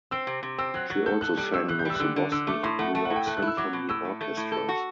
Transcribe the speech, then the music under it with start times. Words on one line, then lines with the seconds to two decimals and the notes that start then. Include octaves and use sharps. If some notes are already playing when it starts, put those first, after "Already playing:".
She also sang with the Boston and New York Symphony Orchestras.
0.11 C4 E6
0.27 C3
0.43 C3
0.58 C4 E6
0.74 F#3 F#6
0.90 F#3 F#6
1.06 A4 G6
1.21 A4 F#6
1.38 G3 F#6
1.54 G2 E6
1.69 E3 F#6
1.79 G6
1.85 G3 E6
1.95 F#6
2.00 D3 E6
2.16 D3
2.32 D3 E6
2.47 A3 D6
2.63 A2 C6
2.79 A3 F#5
2.95 A3 A5
3.05 F#5
3.10 A2
3.16 G5
3.26 A3 F#6
3.37 F#6
3.42 E4
3.47 E6
3.57 F#3 D6
3.73 B2
3.89 A2 E6
4.05 A3
4.21 A3
4.37 A2
4.52 A4
4.69 F#4